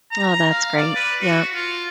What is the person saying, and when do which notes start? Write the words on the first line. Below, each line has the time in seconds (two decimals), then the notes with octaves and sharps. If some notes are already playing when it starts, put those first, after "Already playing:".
Oh, that's great, yep,
0.12 A#5
0.51 F5
0.77 D5
0.96 B4
1.22 F#4
1.54 F4